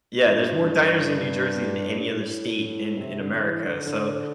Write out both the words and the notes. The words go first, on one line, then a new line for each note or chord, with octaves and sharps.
Yeah, there's more diners in New Jersey than any other state in in America, so,
E2
G2
G2
A2
C3
D3
E3
D3
D3